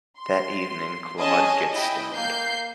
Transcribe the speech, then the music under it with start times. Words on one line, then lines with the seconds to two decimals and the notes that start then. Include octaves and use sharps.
That evening, Claude gets stoned.
0.19 C6
1.19 C#4 G#4 D#5 G#5 A5
1.73 E4 D#5 G5
2.13 A#3 G6 C7